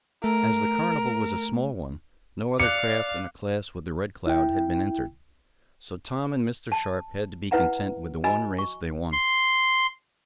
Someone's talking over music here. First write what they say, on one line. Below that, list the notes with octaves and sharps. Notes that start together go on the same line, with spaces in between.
As the carnival was a small one, no other craft in a class with the Red Cloud had been entered, so Tom and Mr. Sharp had to be content with the one race they won.
A3 A#4
D5 F5 D6 F#6 C#7
E4 G5
A5
E4 B4 E5 F#5 A#5
F#4 D#5 G#5 A#5 B5 E6
C#6
C6